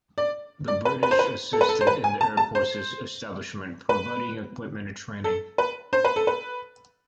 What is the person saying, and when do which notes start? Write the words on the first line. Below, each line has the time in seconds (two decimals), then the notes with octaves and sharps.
The British assisted in the Air Force's establishment, providing equipment and training.
0.18 D5
0.68 D5
0.85 B4
1.03 B4
1.11 C5
1.19 B4
1.53 A4
1.61 B4
1.69 A4
1.81 C5
1.87 B4
2.04 G#5
2.21 A5
2.37 A5
2.55 C5
3.89 B4
5.24 A4
5.58 B4
5.93 C5
6.05 B4
6.16 A4
6.27 B4